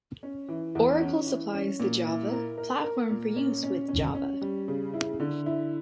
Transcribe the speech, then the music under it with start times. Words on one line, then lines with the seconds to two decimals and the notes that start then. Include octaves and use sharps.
Oracle supplies the Java platform for use with Java.
0.23 C#4
0.48 E3
0.75 E2
1.01 C#4
1.27 E3
1.53 C#4
1.80 A#2
2.06 E4
2.32 A#4
2.58 A#4
2.84 A#4
3.10 A#2
3.36 C#4
3.63 C#4
3.88 C#4
4.15 C#4
4.41 G3
4.68 C#3
4.94 E4
5.20 D3
5.46 E4